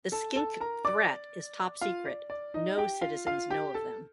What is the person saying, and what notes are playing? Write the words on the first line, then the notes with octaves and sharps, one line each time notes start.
The Skink Threat is top secret, no citizens know of them.
A4 A5
A4 A5
A#4 A#5
D5 D6
F4 F5
D5
D5
D#4 D#5
G4 G5
F4 F5
F4 F5
G4 G5
A4 A5